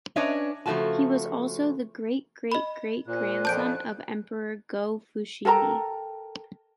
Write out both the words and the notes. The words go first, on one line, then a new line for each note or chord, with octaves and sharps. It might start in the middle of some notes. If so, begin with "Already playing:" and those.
He was also the great-great-great grandson of Emperor Go-Fushimi.
C#4 D4 B4 C#5 D#5 E5
C#3 F3 A3 C#4 F#4 A5
D#5 B5
A#2 C5 G#5 F#6
F2 A5 G6 D7
A4 A#4 G5 A#5